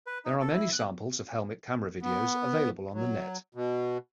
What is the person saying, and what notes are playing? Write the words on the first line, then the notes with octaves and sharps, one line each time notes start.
There are many samples of helmet camera videos available on the net.
B4
D#4
A4
E4
F#6
B3
F#3
B2